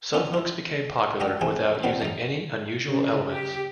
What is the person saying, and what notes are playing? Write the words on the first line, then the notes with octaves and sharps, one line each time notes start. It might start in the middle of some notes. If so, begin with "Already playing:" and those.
Some hooks become popular without using any unusual elements.
B3 C#4 F4
E4 F4
C#2 D3 D4 D#5 G5 D#6
G#3 A3 C4 E4 G#4
D#2 D3 D#3 B3 C4
F#2 D#4
C#3
G4